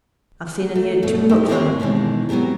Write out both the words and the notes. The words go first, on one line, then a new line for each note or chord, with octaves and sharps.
'I've seen and heerd too much on him.'
A3
G2 B2 A3
D#4 E4 G4
D#2 A#3 C4 F4 G4 C#5
B2 D#3 E3 G#3
F#3 B3 C4 G4 A#4